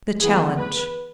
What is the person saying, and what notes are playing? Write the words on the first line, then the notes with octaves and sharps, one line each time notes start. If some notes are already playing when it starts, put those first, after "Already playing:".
The Challenge.
E3 B3 G#4
B4